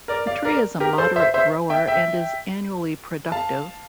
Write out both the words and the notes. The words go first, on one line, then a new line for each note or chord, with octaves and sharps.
The tree is a moderate grower and is annually productive.
A#4 D5
D5 F5
A#4 D5
G4 A#4
A4 C5
C5 E5
C5 E5
E5 G5
E5 G5
F5 A5